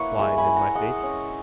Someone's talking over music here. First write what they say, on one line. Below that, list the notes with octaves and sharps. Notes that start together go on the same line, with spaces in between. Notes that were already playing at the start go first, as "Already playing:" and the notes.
Wine in my face.
Already playing: A#3 E4 B4 C#5 F#5
G#3 E5 G#5
G#5 B5
E4
F#5 A#5
G#3 D#5 F#5
C#4